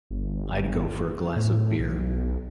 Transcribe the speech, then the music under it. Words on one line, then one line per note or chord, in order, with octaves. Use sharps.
I'd go for a glass of beer.
G1
A2
B1